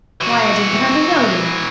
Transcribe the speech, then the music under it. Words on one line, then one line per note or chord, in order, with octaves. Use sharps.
"Why, I didn't hardly know you!"
E3 F#4